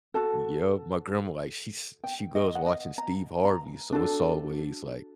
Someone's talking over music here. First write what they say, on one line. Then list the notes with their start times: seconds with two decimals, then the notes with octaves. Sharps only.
Yep, my grandma, like, she's she goes watching Steve Harvey, so it's always like
0.14 F#4 A4 A5
2.04 G5
2.35 D#5
2.55 F#5
2.66 D#5
2.98 A#5
3.45 A#5
3.92 D4 F#4 A4